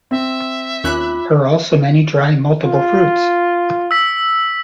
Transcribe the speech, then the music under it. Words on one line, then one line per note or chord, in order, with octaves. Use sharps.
There are also many dry multiple fruits.
C4 E5
D#2 C#4 F4 B5 D6 F#6
F4
E6 B6